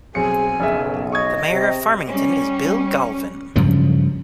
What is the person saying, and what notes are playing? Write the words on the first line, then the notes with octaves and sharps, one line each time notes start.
The Mayor of Farmington is Bill Galvin.
B1 C4 G#4 G#5 C#7
F#1 B1 C#3 E5
D#5 C#6 D#6 G#6
C3
G3 C#4
G2 C#3 F3 F#3